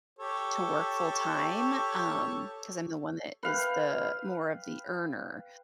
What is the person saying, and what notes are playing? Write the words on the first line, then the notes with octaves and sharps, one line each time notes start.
to work full time, um, 'cause I'm the one that is the more of the earner,
G4 A4 C#5
B4 F5 G5